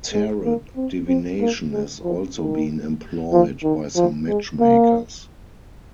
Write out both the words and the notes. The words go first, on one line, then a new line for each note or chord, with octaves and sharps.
Tarot divination has also been employed by some matchmakers.
G#3
A#3
C4
C4
A#3
G#3
F3
D#3
F3
D#3
F3
G#3
A#3